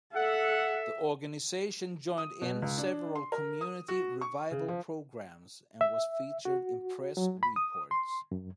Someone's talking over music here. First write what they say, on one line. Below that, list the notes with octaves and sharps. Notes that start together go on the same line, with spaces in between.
The organization joined in several community revival programs and was featured in press reports.
A4 E5 F#5
D#6
B2
C#2
D4
C6
A#4
D#6
F#4
C#6
C#3
F3
E5
F#4
F#3
B5
D#6
C6
F#2